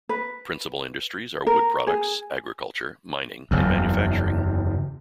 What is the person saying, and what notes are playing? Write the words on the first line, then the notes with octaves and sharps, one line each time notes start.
Principal industries are wood products, agriculture, mining, and manufacturing.
B4
A#4
G#4
F#1 E2